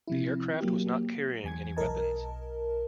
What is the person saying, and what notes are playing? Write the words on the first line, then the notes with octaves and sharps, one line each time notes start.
The aircraft was not carrying any weapons.
C3 F3 E4
F#3 A#3 G4
E2 G#5 G#6
B1 A#4 D#5 A5